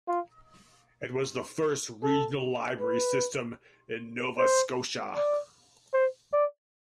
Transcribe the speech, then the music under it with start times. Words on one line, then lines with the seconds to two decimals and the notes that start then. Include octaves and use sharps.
It was the first regional library system in Nova Scotia.
0.08 F4
2.03 A4
2.81 B4
4.38 C5
5.16 D5
5.94 C5
6.33 D5